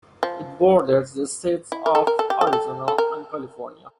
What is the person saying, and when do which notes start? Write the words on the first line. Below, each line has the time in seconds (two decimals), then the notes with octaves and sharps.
It borders the states of Arizona and California.
0.23 F3
1.72 E4
1.86 A#4
1.95 A4
2.07 A#4
2.19 A4
2.30 G4
2.41 A4
2.47 G4
2.53 A4
2.88 A4
2.98 A#4